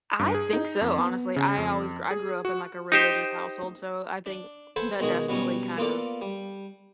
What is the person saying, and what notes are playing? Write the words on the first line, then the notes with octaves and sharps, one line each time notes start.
I think so, honestly. I always grew I grew up in a religious household, so I think that, definitely, kind of,
G2
G#4
D#4
F2
B3
C#3
F2
G#4
F#4
D#4 G4 C5
D4
A4 B4 C5 F#5 G#5 A5
B2 D#3 G#3 F#4 G#4
B2 F#3 G3 B3 C#4
A#3 B3 F4 A4 D5
G3